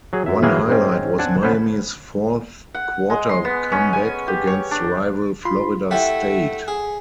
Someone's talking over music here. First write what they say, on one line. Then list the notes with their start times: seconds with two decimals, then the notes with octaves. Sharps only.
One highlight was Miami's fourth quarter comeback against rival Florida State.
0.13 F#3 G#4
0.26 F#2 E5
0.42 D#3 E3 F#3 G#3 A#3 G#4
0.68 G#2 C4 C#4
1.18 C4 D4 D5 F#5 G#5 A5
1.42 B3 C#4 B4 C5
2.75 F#5
3.10 G#3
3.29 C6
3.45 B3
3.72 C#4
3.93 G#5
4.28 G4
4.47 C#5
4.71 D4
5.45 F4 B5 C6
5.91 A3 E4 G4 F#5
6.68 G#4